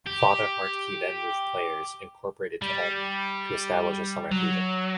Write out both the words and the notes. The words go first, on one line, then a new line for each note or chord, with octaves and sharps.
Father Hartke then moved Players, Incorporated to Olney to establish a summer theater.
G4
G3
F#3